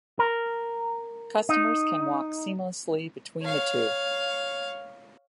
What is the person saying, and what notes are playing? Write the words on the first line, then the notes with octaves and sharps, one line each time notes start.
Customers can walk seamlessly between the two.
A#4
D#4
C#5 F5